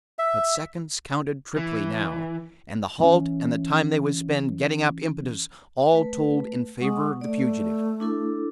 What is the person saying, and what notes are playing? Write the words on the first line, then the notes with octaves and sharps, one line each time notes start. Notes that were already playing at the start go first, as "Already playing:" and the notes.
But seconds counted triply now, and the halt and the time they would spend getting up impetus all told in favor of the fugitive.
E5
E3
E3 C4 C#4
A3 B4
G#3 F#5 C#6 D#6
A3 D5
D4 E4 A4